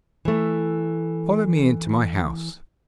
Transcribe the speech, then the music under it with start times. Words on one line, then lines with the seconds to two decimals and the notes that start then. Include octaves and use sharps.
Follow me into my house.'
0.25 E3 A3